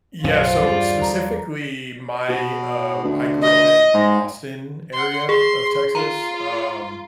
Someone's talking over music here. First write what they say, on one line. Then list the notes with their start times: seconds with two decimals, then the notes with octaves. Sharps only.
Yeah. So, specifically, my, uh, w I grew up in the Austin area of Texas, um,
0.24 B1 F#2 A2 C3 F3 C4 F4
0.63 E2 G2 G3 G#4 D5
1.01 E2 A4 A#4 A#5
2.29 B2
3.04 D2
3.42 D#5
3.94 G#2
4.93 F#5 C6
5.29 G#4 C6
5.95 F4 A#5